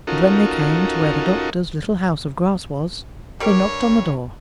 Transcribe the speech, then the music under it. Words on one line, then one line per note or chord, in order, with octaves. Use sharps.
And when they came to where the Doctor's little house of grass was, they knocked on the door.
C#4 D#4 F4 F#4 A4 A#4
G2 G3 G4 A#4 C#5